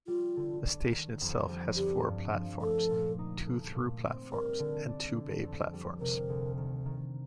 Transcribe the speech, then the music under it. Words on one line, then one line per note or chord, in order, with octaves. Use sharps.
The station itself has four platforms - two through platforms and two bay platforms.
G3 F4
D3
D4
D#3
F2
G3
D3 G4
G2
F3
A3 A4
A#2
D#4
A3
A#2
C4
G3 A#4
D3
D4
D3
F2
G3
C3 A#4
D2
D#3
D#3